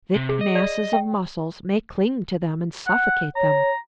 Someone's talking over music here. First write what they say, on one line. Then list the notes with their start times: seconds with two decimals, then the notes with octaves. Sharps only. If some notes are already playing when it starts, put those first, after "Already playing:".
Thick masses of Mussels may cling to them and suffocate them.
0.16 C3
0.29 G#4
0.41 D#5
0.55 D5
0.93 G5
2.87 F#5
3.36 C#5 A#5